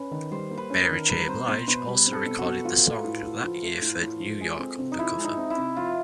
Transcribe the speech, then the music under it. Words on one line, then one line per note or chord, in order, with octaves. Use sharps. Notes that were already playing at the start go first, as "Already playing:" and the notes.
Mary J. Blige also recorded the song that year for "New York Undercover".
Already playing: C#4 B4
D#3
G3 C5
A#3
B4
C#4
A#4
D#3
G3 B4
C4 C5
B2 C5
B2 B4
G3 B4
C4
A4
B2
F#4
B2
F3 F4
A3
A2
A2
F3
A3
A2
A2
F3
G#3
C4
C3
D#4
F3 E4
G#3
D#4
C4
E4
C3
F3 F4